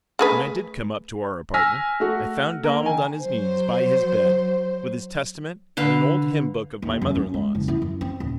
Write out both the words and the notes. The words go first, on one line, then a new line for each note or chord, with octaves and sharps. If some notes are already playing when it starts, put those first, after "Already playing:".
When I did come up to our apartment I found Donald on his knees by his bed with his Testament and an old hymn book of my mother-in-law's.
A3 G#4 B4
G#5 E6 F6 A#6 B6
A3 F#4
A#3 A#4
D#3 G#5
F#3 C5
D3 B4 F5
D#2
F#2
C#4
G#3
F#1
E4
F#2
C4
D#1